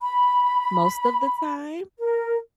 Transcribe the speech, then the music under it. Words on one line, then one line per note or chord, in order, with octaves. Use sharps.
most of the time
B5
A#4